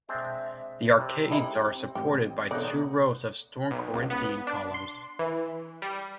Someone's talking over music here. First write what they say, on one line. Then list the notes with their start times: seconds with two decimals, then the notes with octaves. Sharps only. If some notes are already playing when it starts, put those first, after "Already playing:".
The arcades are supported by two rows of stone Corinthian columns.
0.09 G#3 C4 D4 E5
0.98 C3 B5
1.31 G#3 C4 D#4 E4
1.95 A1 G4
2.51 B2 D3 D#4 C#5 D5 F#5
3.71 B1
3.93 C#2
4.10 B3
4.47 D4
4.74 C6
5.19 E3
5.82 G3